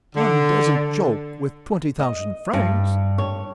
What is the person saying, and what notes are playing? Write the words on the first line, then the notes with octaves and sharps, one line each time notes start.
"One doesn't joke with twenty-thousand francs."
D3
D#5
G2
C#5